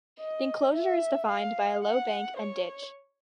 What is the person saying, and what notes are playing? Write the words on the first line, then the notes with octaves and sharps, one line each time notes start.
The enclosure is defined by a low bank and ditch.
D#5
E5
F5
F#5
C#5